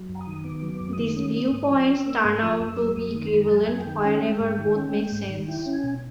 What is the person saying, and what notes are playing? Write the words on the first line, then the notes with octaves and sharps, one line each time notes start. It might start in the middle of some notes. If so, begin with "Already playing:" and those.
These viewpoints turn out to be equivalent whenever both make sense.
Already playing: F#3
F#2
D#6
D#3
B3 D6
F#3
D6
F#2
D#6
D#3
C#4
A#3
G#2
F3
C#4 E6
A#3 E6
G#2 D#6
F3 D#6
F#2 E6
F#3
F#2 D#6
D#3
C6
F#2 B5
A#5
F#3 A5
G#5
F#2
G5
D#3
C#4
G#3
G#2
D#3
C#4
G#3
G#2
D#3
E4 G5
C#4
G#5
B2